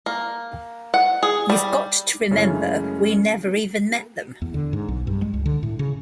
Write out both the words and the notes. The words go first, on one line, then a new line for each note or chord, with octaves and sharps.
You've got to remember, we never even met them.
A#3
F#5
G#4
G3
F#2 C#3 G#3 A3 C#4 E4
E2
D3
G#2
B1
G2
G#3
C#2
D3
A2
C#3